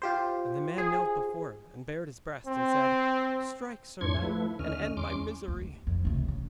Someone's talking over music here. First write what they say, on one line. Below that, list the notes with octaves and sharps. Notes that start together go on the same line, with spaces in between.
And the man knelt before him, and bared his breast, and said, 'Strike, sir knight, and end my misery!'
F4 G4 C5
G#4
C4
F2 G#2 D4 C#5 C6 G#6
F3 A3 E4 B4
D#2 D3 C#4 D#5 F6
E2 C#4 C6 D6
D#2
F2
C#2 C3
C#3